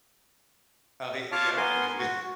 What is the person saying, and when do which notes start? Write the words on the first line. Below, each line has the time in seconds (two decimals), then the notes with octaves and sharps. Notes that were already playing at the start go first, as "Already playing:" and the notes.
Oh, he he argued with you.
1.32 F4 C#5 F5 A5 D6 F6
1.57 B3 A#4 G#5 C6
1.98 F#4